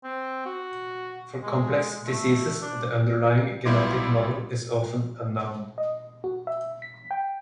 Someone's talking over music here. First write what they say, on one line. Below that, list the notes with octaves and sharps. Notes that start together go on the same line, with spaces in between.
For complex diseases, the underlying genetic model is often unknown.
C4
F#4
G#3
A3
D4
B1 G3 B3 E4 C6 D6
D#5
F#4
E5
B6
G5